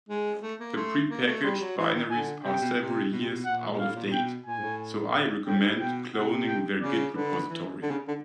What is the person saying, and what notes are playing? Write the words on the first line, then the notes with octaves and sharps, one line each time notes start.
The prepackaged binaries are several years out of date, so I recommend cloning their git repository.
G#3
A3
A#3
A3 C6
A#3
A3
G3 C6
F#3
E3 C6
D#3
D3 G#5
C3 G5
B2
C3
B2
C3
B2
A#2 F#5
A#2
A2 F5
A#2
A#2
B2 G5
A#2 G#5
G#2
A2
A2 G5
G#2
G2
G#2
B2 G5
C3 F#5
G5
C#3 D5
D3 B4
E3
D3
C#3
D3